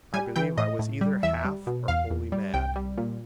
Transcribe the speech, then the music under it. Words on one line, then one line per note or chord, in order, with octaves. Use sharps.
I believe I was either half or wholly mad.
G3 G#5
E3 G5
A2 D#5
A2
G3
E2 E5
G3
B2
E2 F5
E2
G3
C2 G5
G3
A#2